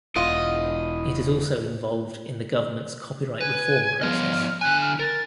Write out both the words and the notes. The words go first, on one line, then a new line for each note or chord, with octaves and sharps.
It is also involved in the government's copyright reform process.
E1 E4 F4 D#5 F#5
B4 G#5
F3 B3 D#5 F6
D3 G#5 F#6
F6
A#4 A6